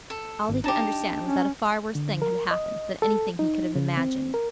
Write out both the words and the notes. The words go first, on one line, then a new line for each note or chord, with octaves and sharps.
All he could understand was that a far worse thing had happened than anything he could have imagined.
A4
G#1
D4 D#4 G4 A5
C#4
D3
A#4
D#5
A4
D#4
C#3
C4
A#4